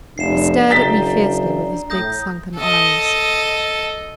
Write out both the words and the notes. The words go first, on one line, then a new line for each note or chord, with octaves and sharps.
He stared at me fiercely with his big sunken eyes.
F1 D4 C7 E7
F#1 G5 A#5 D#6 A6 B6 G7
A2 D#6 G6 A#6
A4 D#5